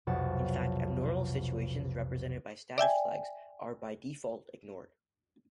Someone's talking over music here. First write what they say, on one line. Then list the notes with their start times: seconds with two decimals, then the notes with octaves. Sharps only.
In fact, abnormal situations represented by status flags are by default ignored!
0.07 B1 F2 C3 F#5 A5
2.78 D5 E5 G5 G#5